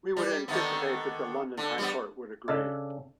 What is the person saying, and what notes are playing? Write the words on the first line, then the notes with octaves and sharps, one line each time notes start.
We would anticipate that the London high court will agree.
G3
D3 D#3 B3
D3
G3 B3
C#3 D4 A4 D#5